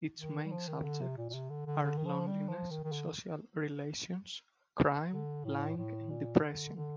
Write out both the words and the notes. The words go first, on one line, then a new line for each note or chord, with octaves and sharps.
Its main subjects are loneliness, social relations, crime, lying and depression.
D#3
G3
F3
D#3
D3
C3
A#2
A#2
C3
D3
D3
D3
D#3
F3
G3
F3
D#3
D#3
D3
D3
A2
A2
A#2
D3
D3